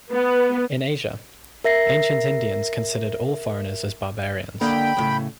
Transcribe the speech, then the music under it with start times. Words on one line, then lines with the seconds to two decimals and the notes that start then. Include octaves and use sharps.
In Asia, ancient Indians considered all foreigners as barbarians.
0.11 B3
1.64 A#4 E5 A#6 C7
4.61 D3 A#3 D#5 G5 B5
4.97 D2 A2 C#3